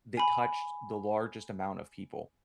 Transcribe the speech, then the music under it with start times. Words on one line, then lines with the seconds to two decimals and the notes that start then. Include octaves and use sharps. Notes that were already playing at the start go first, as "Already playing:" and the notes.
that touched the largest amount of people,
0.17 G#5 B5